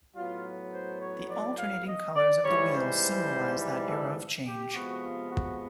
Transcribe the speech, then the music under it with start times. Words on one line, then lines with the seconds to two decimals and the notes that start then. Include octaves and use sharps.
The alternating colors of the wheel symbolize that era of change.
0.15 A2 F#3 B3 F4
0.73 C5
1.01 C#5
1.30 D5
1.59 F5
1.88 D#5
2.16 D5
2.45 G#2 E3 G3 C#5
2.74 C5
3.89 A4
4.46 G4
4.74 C3 F3 G#3 B3 F#4
5.02 F4
5.31 F#4